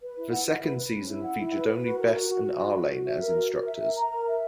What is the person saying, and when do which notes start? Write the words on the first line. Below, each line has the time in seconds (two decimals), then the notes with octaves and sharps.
The second season featured only Bess and Arlaine as instructors.
0.01 B4
0.17 E4
0.32 F#5
0.47 E4
0.62 B4
0.77 B4
0.93 C#4
1.08 E4
1.23 F#5
1.38 E4
1.53 B4
1.69 B4
1.83 F#4
1.99 A#4
2.14 F#4
2.30 F#4
2.44 F#4
2.59 F#4
2.74 F#4
2.90 F#4
3.05 E5
3.20 A#4
3.35 F#4
3.51 A#4
3.66 E5
3.81 A#4
3.96 A#5
4.11 A#4
4.26 E5